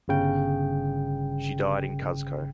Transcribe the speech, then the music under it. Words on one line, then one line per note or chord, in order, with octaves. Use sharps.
She died in Cuzco.
G1 C#3 G5